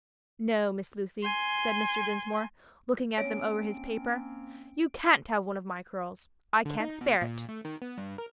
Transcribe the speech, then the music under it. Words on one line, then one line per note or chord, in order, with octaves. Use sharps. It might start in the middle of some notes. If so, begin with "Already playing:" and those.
"No, Miss Lucy," said Mr. Dinsmore, looking at them over his paper, "you can't have one of my curls; I can't spare it."
G#5 C6
A#3 C4 C#4 C#5 D7
D3
D#4
B2
A#2
A3
D#3
B3
G2
A#4